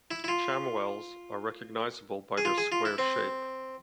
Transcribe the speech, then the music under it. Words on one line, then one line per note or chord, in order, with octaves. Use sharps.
Cham wells are recognisable by their square shape.
E4
E4
F4
G#4
F4
G#4
F4
E4
C4